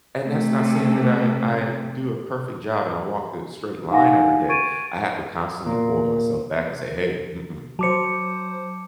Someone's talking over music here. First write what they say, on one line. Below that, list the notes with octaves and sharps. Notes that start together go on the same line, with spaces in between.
and that's not saying that I I do a perfect job, and I walk the straight line every day, I have to constantly pull myself back, and say, "Hey, mm-mm,
C3 A3
D#4 F5 F#5 G#5 A#6
C#6 G#6 A6 D7 D#7
A#2
F#3 C5 A5 D6 C#7